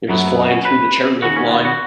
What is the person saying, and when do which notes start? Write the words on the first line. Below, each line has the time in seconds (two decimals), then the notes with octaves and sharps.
you're just flying through the chairlift line.
0.08 F#2 F#3 B3
0.51 C#4
0.65 B4
1.22 D#2 C#3 B3 F#4
1.36 C#4
1.51 B3
1.65 F#4